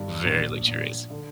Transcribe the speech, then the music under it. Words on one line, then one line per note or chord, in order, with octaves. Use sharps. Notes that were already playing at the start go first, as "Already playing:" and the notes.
Very luxurious.
Already playing: G1 G2 D#3
A#1 A#2
A#1 A#2
D3